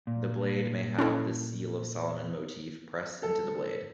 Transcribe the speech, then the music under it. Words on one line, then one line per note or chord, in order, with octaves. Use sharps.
The blade may have the Seal of Soloman motif pressed into the blade.
A#2
C#4 E4 A4
A4